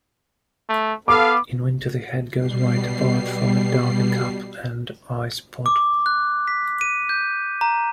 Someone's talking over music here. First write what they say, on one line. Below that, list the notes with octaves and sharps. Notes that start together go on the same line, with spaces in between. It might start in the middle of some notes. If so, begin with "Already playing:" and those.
In winter, the head goes white apart from a darker cap and eye-spot.
A3
B3 A4 F5 D6
B2 G3 C7
D6
F#6
B6
D#7
G6
A#5